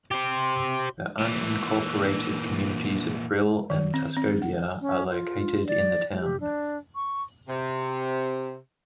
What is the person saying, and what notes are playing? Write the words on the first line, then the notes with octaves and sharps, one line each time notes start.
The unincorporated communities of Brill and Tuscobia are located in the town.
G4 C5
A#2 E3
D#3
C4
C4
F#5
C#4
F4
D5
G4
D4
C#6
C3